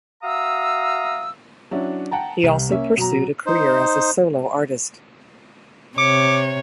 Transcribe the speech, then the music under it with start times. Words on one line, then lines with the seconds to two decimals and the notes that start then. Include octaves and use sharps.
He also pursued a career as a solo artist.
0.23 F#4 E5 F5 A#5 D#6 E6
1.71 F#3 C#4 D4 E4 F#4
2.11 F#5 G5 A5 A#5
2.43 C2 C3
2.69 A#3 C#4 E5
2.97 B2 F#3 A#5
3.46 D#4 C5
5.98 C3 C#5 D6 C#7